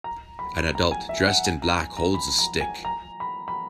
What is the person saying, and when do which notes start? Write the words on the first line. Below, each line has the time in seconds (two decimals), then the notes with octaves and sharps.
An adult dressed in black holds a stick.
0.04 A#5
0.39 B5
0.75 A#5
0.91 G#5
1.09 E5
1.28 F#5
1.45 G#5
1.62 A#5
1.97 A#5
2.14 B5
2.39 A#5
2.61 G#5
2.85 A#5
3.20 B5
3.48 B5